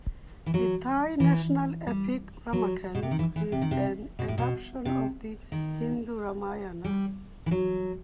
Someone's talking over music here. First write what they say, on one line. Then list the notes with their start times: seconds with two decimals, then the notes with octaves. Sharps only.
The Thai national epic Ramakien is an adaption of the Hindu Ramayana.
0.46 E3
0.54 F#3
1.20 E3
1.87 G3
2.53 F#3
2.95 B2
3.03 C3
3.11 D#3
3.19 E3
3.36 E3
3.52 C3
3.61 D#3
3.71 C3
4.19 B2
4.28 A2
4.38 B2
4.85 C3
5.52 D#3
6.84 G3
7.46 E3
7.51 F#3